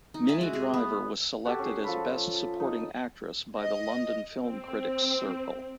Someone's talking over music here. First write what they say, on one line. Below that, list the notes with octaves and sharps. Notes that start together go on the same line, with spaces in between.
Minnie Driver was selected as best supporting actress by the London Film Critics Circle.
D#4
E5 G#5 A5
G#3 F#4
G#4
B3
F#4 G4 A4
C#4 G#4
F3 A4 B5
D#4
D#5
C4